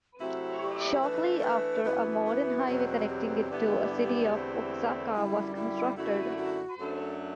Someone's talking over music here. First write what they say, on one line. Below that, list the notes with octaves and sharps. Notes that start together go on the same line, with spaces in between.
Shortly after, a modern highway connecting it to the city of Oaxaca was constructed.
C3 F#3 A3 C4 E4 F#4
G4
E3 A3 D4 B4
A4
B4
F#2 E3 B3 E4 B4
B4
E2 B2 F#3 C4 F#4
G4
G2 D3 G3 B3 E4
E2 D3 A3 C4 E4
F#2 D3 G3 E4
E4
F#2 D3 A3 E4 F#4
F#4
F#2 F#3 A3 D4 A4